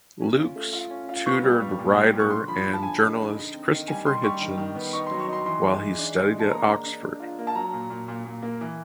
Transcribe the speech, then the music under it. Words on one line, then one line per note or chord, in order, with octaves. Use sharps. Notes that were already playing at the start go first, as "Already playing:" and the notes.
Lukes tutored writer and journalist Christopher Hitchens while he studied at Oxford.
C#4
F4
A3
F4
C#4
F4
B3 C#6
G3
G3
A#2
G3
A#2
C#6
D3 C6
F3 B5
D3
A5
D3 G#5
G#3
D3
D#4
C4
D#3
G3 G#5
G3 C6
G3 C#6
D#3
D#3
B3
D#4 C#6
C6
F#3
C#6
D#4
C6
E3 C6
G#3
E3
D4
E3
G#3
A5
A#3 A#5
D4
D4
D4
F4
A#3
A5
F#3 A#5
A#2
A#2
A#2
A#2
A#3
E3